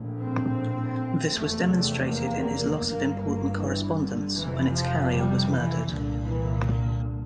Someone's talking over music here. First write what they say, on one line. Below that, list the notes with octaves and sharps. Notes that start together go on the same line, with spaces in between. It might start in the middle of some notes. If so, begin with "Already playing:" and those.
This was demonstrated in his loss of important correspondence when its carrier was murdered.
Already playing: A#1 A2
C4
F1 E2 C3 A3
A3
A#3
G1 G2 A#3
A#3
E3
D3
F1 F2 C3 E3
F3
G3
E3
C2 A#2 D3
E3
D3